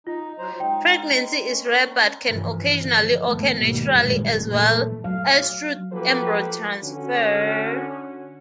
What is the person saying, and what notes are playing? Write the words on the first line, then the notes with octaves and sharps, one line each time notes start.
Pregnancy is rare, but can occasionally occur naturally as well as through embryo transfer.
D#4 F4
F#3 C5 A#5
G#3 D#4 G5
C#4
G2 C3 E3 F3
D3 F3
B1 E2 G#2 D#3 A3 B3
G#2 B2 D#3 G3 A#3
F#1 F2 A#2 D#3 G3 G#3
A#2 E3 A3
F#3 F5
F3 A#3 F#4 G4 A4 B4
D3 C#4 F#4